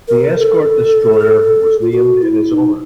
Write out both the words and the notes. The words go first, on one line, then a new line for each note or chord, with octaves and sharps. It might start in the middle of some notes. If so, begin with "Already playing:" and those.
The escort destroyer was named in his honor.
A#4
A4
F4
F#4
E4
D#4